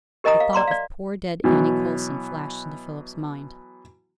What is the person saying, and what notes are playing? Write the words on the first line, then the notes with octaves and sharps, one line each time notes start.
The thought of poor dead Annie Coulson flashed into Philip's mind.
G4 A#4 D#5 G#5 A#5 D#6
F5
D5 A#5 C6 D6
D5 F5
B2 E3 F#3